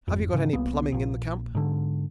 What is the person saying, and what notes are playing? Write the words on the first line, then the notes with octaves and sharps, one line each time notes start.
Have you got any plumbing in the camp?
G#1 F2
G#2 C#3 E3
C2 A#3 B3
A#1 A#2
G#2 D3